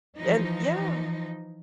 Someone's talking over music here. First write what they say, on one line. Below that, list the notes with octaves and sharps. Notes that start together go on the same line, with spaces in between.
And yeah.
E3 F3 D#4